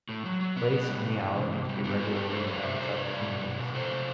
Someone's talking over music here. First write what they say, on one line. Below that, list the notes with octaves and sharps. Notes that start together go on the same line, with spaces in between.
'The place, and the hour, must be regulated by his opportunities.'
A2
F#3
F#3
B2 B3
B2
G3
B2
E3
C3
C3
G3
G3 B3
A2 F#4 A4
G3 G4 B4
A2 A4 C5
F#3 B4 D5
C3 C5 E5
C3 A4 C5
C3 B4 D5
G3
B2
B2
B2
C3 A4 C5
C3